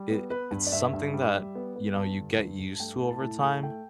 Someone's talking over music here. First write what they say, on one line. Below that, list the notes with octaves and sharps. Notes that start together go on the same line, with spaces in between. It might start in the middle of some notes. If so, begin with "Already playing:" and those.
it it's something that, you know, you get used to over time,
Already playing: G3
B3
B3 B4
G2
D5
G2 E5
G2
G3
G3
B3
B3
G2 A5
D3
G2
G2
A5
A3 G5
A2 A5
A5
A2
A3
A3 G5